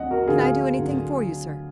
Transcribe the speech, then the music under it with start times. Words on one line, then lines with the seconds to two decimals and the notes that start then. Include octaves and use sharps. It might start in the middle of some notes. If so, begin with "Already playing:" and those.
"Can I do anything for you, sir?"
Already playing: D2 D3 F3 D#5 F#5
0.11 F#4 A#4
0.27 D2 D3 F3 F4 G#4
0.79 D2 D3 F#3